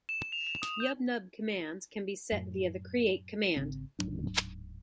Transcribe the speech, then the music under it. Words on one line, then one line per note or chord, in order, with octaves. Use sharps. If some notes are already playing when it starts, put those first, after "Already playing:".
YubNub commands can be set via the create command.
E7
F7
F7
D#6
G6
F#2 A2
G#1 C#2 C#3 C4
D1 G#2 F#3 D4